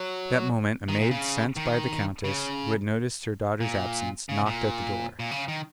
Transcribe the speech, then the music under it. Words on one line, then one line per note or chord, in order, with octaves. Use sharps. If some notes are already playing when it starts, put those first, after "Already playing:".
At that moment a maid sent by the countess, who had noticed her daughter's absence, knocked at the door.
Already playing: F#3
D#3
A#2
C#3
D#3
C#3
A#2
C#3
A#2
A#2
C#3
D#3